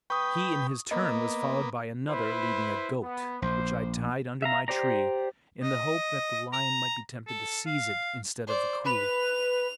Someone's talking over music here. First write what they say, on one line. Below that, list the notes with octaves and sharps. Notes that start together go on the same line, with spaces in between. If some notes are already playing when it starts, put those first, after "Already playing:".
He in his turn was followed by another leading a goat, which I tied under my tree in the hope that the lion might be tempted to seize it instead of a coolie.
B4 G5 C#6 D#6
A#3 B3 D#5
E4 B4 C5
B3
A#1 C5
E5 F5 A#5
G4 C5 D5 A#5
D#5
A#5
A4
F5
C5 D5
B4 F7